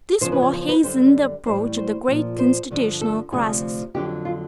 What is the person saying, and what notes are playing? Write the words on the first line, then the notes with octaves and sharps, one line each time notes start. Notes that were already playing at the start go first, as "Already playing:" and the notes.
This war hastened the approach of the great constitutional crisis.
E2 C#3 F3 C5
B4
C#5
C5
B4
F#2 D3 G3 C5
A2 E3 G3 C5
C5
A#2 F3
C5
G2 D3 F3
A4
D2 C3 F3 G#4
F2 D3 F#3 G4
F4